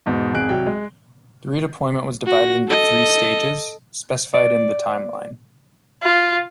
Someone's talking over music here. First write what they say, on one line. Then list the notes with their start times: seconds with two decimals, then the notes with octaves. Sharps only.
The redeployment was divided into three stages, specified in the "Time line".
0.06 E2 G#2 B2
0.33 G#1 F2 G#2 G#4 F#6 D7
0.49 C2 F#3 G5
0.67 G#3
2.26 F#4 A#6
2.68 A4 D#5
4.34 D5
6.03 F4